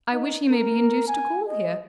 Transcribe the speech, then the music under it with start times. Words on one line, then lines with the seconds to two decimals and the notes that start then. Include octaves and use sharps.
I wish he may be induced to call here.
0.13 D#4
0.51 A#4
1.07 G#5
1.48 D#5